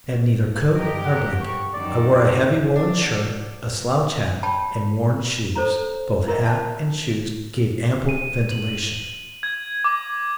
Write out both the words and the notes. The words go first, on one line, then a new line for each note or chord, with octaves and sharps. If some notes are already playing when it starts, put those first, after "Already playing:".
I had neither coat nor blanket. I wore a heavy woolen shirt, a slouch hat, and worn shoes; both hat and shoes gave ample ventilation.
G2 G4 A#4 D#5
F#5
C#6
F#2 D#3 D5
D5
D4
F#3
C#5 G5 A5 B5
A4 C5 C#5 A#5
E4 A#4 C#5 D#5 E5
A5
D#7
F#7
G#6
D6